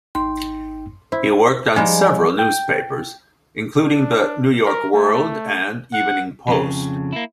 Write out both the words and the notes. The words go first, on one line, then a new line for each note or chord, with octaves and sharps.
He worked on several newspapers, including the "New York World" and "Evening Post".
G#1 D#4 G5 C6
E4 C5
F3 G3 G#3 D#4 G#5
G5
D4
A#4
A3
F#5
F2 C#3
A#3 E4